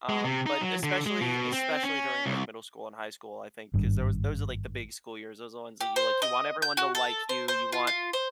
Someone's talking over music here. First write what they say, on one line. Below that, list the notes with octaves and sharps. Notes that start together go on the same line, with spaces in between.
Um, but especially especially during, like, middle school and high school, I think, 'cause those those are, like, the big school years, those are ones that you, like, you want everyone to like you, you want
G#3
C3
D#4
F#3
D3
G#3
B2
C4
C#4
C2
G#1 G2
G4
C5
D#5
G6
F#4
A4
C5
C5
F4
F4
C5